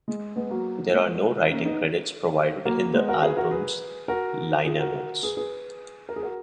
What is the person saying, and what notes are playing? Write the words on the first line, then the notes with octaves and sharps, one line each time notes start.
There are no writing credits provided in the album's liner notes.
G#3
G#3 B3
F#3 A#3
G#3 B3
A#3 C#4
B3 D#4
F#3 A#3
G#3 B3
F#4 A#4
G#4 B4
F#4 A#4
G#4 B4
F#4 A#4
F4 G#4
F#4 A#4
G#4 B4
G#4 B4
A#4
G#4
F#4 A#4